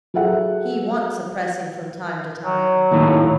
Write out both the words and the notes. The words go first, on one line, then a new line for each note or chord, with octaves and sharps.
He wants suppressing from time to time.'
F#3 G#4 A4 E5 F#5
F#3
D#2 A2